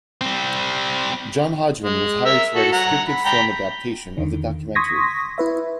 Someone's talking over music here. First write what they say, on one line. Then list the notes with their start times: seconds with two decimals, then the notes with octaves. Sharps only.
John Hodgman was hired to write a scripted film adaptation of the documentary.
0.21 G3 C4
1.84 G#3
2.25 A#4 E5 E6
2.55 F#4 A4
2.72 F#5 A#5
3.08 B5
3.25 G5 A#5 B5
4.18 E2 D3 D#3
4.75 C6 C#6 D#6 G#6 A#6 B6
5.38 E4 B4 E5